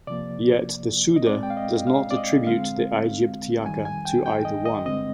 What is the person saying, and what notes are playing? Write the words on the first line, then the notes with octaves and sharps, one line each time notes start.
Yet the Suda does not attribute the "Aegyptiaca" to either one.
C3 F3 A#3 D5
D#5
A#2 G#3 C4 D5
G5
F5
D#5
F5
D5
D#5
D3 G#3 C4 F5
F2 D#3 G3 G#5
G#5
G5
G5
D#5
D#5
G2 D3 G#3 C4 D#5